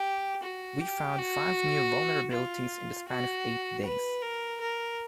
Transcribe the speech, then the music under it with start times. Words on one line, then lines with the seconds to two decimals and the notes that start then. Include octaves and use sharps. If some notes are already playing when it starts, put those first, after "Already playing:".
We found five new vulnerabilities in the span of eight days.
Already playing: G4
0.43 F#4
0.81 G4
1.19 F#4
2.32 F4
3.08 F#4
3.85 B4
4.22 A#4
4.61 A#4